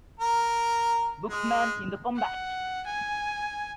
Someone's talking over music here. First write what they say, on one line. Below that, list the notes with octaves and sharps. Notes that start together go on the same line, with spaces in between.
Buxman in the Combat!
A#4
G#3
F#5
G#5